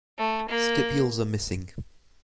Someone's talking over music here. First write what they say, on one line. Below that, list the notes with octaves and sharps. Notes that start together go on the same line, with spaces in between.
Stipules are missing.
A3
A#3